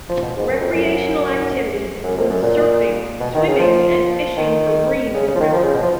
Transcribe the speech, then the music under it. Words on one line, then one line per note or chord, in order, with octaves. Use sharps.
Recreational activities include surfing, swimming and fishing for bream in the river.
F3
B2
G#2
F#2
F2
F#2
F#2
F2
F#2
A#2
B2
D#3
C#3
F3
D#3
C#3
C#3
F3
D#3
F3
C#3
B2
F3